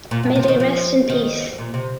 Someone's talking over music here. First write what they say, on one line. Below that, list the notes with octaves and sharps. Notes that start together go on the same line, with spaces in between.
May they rest in peace.
A#2
G2
C3
F3
D#3
F3
D#3
A#2
C3